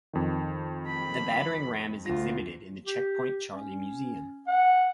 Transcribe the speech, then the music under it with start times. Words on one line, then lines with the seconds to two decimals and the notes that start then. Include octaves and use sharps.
The battering ram is exhibited in the Checkpoint Charlie Museum.
0.13 F2 D#3
0.87 B5
2.06 D2 F4 A#6
2.86 G4
3.54 C#4
4.47 F#5